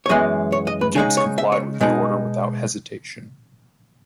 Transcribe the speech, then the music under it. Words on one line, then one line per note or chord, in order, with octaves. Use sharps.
Gibbs complied with the order without hesitation.
C#5
F#2 E3 G#3 B3 D#5
C#5
D#5
B4
C#3 G#3 D#4 G#4
C#5
E5
C#5
B2 G#3 D#4